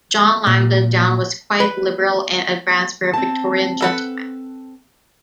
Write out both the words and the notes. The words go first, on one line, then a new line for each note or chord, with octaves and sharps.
John Langdon Down was quite liberal and advanced for a Victorian gentleman.
A#2
B4
C4 A5
A4 B4 F#5